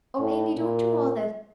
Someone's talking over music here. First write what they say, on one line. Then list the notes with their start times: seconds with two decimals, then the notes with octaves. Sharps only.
'O Amy, don't do all this.
0.19 A2
0.57 A#2